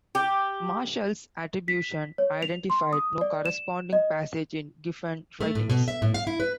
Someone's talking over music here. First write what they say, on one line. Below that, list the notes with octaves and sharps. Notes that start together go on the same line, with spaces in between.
Marshall's attribution identified no corresponding passage in Giffen's writings.
G4
B6
C#5
F7
C6
D#6
D5
E7
D#5
A3
A2
B2
E5
A2
F5
E4
B4